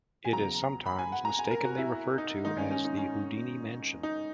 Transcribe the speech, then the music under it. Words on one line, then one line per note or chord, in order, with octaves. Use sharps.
It is sometimes mistakenly referred to as the "Houdini Mansion".
G#5
E2 C#3 F#3 A#5
B5
G#5
F#5
A#5
G#5
A#4
F#4
E4
E4
D#4
G#2 D#3 A#3 D#4
C#4
C#4
D#4
C#4
D#4